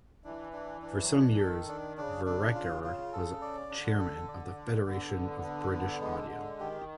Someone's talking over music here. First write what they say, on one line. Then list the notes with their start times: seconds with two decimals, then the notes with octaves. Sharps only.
For some years Vereker was chairman of the Federation of British Audio.
0.24 E3 D4
0.53 D4
0.82 D4
1.01 F#3
1.11 F3 D4
1.27 E3
1.39 D#3 A4
1.68 D4
1.97 C#3 D4
2.26 C#3 D4
2.55 F4
2.84 F4
3.13 A4
3.42 D5
3.70 D3 D4
3.99 A4
4.28 D5
4.57 D4
4.86 D3 B3
5.15 B3
5.44 D4
5.73 B3
6.01 G#3
6.31 G#3
6.59 D#3 G4